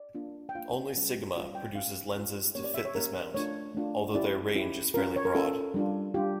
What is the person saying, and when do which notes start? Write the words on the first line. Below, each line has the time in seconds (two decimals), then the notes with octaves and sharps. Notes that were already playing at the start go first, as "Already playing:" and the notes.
Only Sigma produces lenses to fit this mount, although their range is fairly broad.
Already playing: D5
0.15 A#3 D4 F4
0.49 G5
0.55 A#3 D4 F4 F5
0.95 G3 C#4 F4
1.35 G3 C#4 F4
1.55 G5
1.75 C#4 F4 F5
2.15 C#4 F4
2.55 A#3 C#4 G4 C#5
2.64 D5
2.74 E5
2.85 C#5
2.95 A#3 C#4 G4 A#4
3.34 A3 D4 F4 C#5
3.75 A3 D4 F4
4.15 C#4 E4 G4 D5
4.55 C#4 E4 G4
4.94 C#4 F4 A#4
5.16 C#5
5.25 A#4
5.35 C#4 F4 A4
5.74 G3 D4 F4
6.14 G3 D4 F4 G4